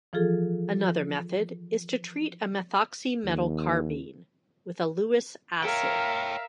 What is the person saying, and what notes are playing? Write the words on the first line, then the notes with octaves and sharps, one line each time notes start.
Another method is to treat a methoxy metal carbene with a Lewis acid.
E3 F3 F4 G#4 A4
D#2
A#4 C#5 E5 F5 G5